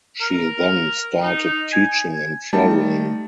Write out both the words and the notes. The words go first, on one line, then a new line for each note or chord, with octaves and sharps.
She then started teaching and travelling.
A#4
D#4
G#5
G3 A3 D#4 A5